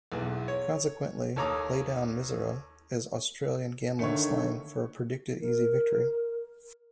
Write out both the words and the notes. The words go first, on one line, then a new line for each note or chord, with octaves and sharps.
Consequently, 'lay down misere' is Australian gambling slang for a predicted easy victory.
B1 E2
C#5
D#2 A4 C#5 A#5 D6 D#6
D3 D#3 A3 C#5 C#7
A#4